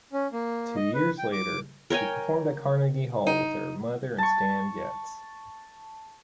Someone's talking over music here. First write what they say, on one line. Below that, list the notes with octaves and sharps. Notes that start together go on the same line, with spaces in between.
Two years later, she performed at Carnegie Hall with her mother and Stan Getz.
C#4
A#3
D#5
B4
G5
D6
A#4 C#5 G5 G#5
D#4
A5 C#6